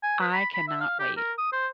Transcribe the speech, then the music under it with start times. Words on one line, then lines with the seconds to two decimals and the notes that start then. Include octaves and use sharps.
I cannot wait.
0.03 G#5
0.20 B4
0.33 B5
0.54 B5
0.68 E5
0.80 F5
1.00 G4
1.17 A#4
1.38 D#6
1.52 C5